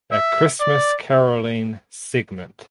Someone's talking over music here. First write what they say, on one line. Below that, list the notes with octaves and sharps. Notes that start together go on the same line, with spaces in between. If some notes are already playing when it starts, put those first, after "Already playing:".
A Christmas Caroling segment.
E5
D5